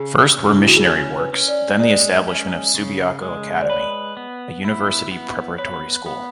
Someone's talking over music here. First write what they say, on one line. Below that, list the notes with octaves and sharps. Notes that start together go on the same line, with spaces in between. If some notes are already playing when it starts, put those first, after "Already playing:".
First were missionary works, then the establishment of Subiaco Academy, a university-preparatory school.
Already playing: C#3 G#4
C#3
D4
E4
F#4
G#4
C#4 A4
B4
C#4
D5
G#3 D5
C#4
C#3
G#3
D5
B4 C#5
B3
E4
B3
B4 C#5
B3